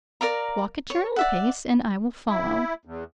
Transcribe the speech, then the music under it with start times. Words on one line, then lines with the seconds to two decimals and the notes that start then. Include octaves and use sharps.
Walk at your own pace, and I will follow.
0.21 A#4 D5 F5 A#5
0.90 C#5
1.16 D5 E5 F#5
2.29 E4
2.85 E2